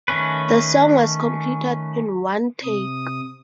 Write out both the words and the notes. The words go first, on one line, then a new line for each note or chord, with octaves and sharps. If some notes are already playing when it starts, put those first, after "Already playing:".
The song was completed in one take.
D#3 A3 C#4 B4
C3 D#6